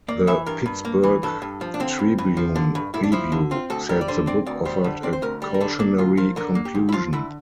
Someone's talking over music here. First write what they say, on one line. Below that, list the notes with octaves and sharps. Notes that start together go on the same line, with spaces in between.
The "Pittsburgh Tribune-Review" said the book offered a "cautionary conclusion".
A#3 D5
E3 E5
G2 A#4
G2
A#3
E3
G2 A4
G2
F3
D4
D3 C4
G2
G2
F3
D3
G2
G2 E4
D4
F3 E4
D3
C4 F4
D2 A4
G3 A#4
D5
D3 C5
C4 D5
D2 D5
G3 C5
D3
C4 D5
C5
D2 A#4
G3
A#4
D3 A4
A#3 D4
D2 F4
F3 A#4
D3 A#4
A#3
G4
D2
E4
F3 F4
D3 E4